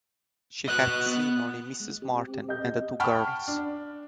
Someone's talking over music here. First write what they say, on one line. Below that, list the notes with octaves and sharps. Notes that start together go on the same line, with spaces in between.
She had seen only Mrs Martin and the two girls.
F#4 B4 D#5 F#6
B3
G#3
C4 G4
D#5 G6
F#5 G5 A5 B5 C#6 F6
D4